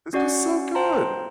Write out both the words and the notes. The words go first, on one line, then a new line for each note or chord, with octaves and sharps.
this was so good.
C#4 F#4 D5 F#5
C5 G5 A5 A#5 C6